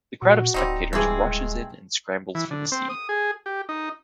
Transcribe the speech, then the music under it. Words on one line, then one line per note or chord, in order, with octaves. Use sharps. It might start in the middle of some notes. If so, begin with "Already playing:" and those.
The crowd of spectators rushes in and scrambles for the seed.
A#2 F#4
D1 G3 C4 D#4
G2 E3 G#3 C4 G#4
E3
D3
C4
D#6
G#4
G4
D#4